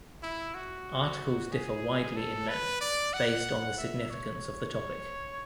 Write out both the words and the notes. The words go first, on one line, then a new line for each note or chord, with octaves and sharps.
Articles differ widely in length based on the significance of the topic.
E4
F#4
G#4
A4
B4
D5
F#5
E5
C#5
C#5